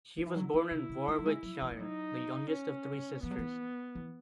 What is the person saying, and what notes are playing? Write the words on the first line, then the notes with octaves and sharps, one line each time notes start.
She was born in Warwickshire, the youngest of three sisters.
D#3
E3
F#3 E4
E3
C#3
C#3
G#3
F#3
G#3
F#3
E3
G#3
F#3 D#4
C#4
E3 B3
F#3
E3
E3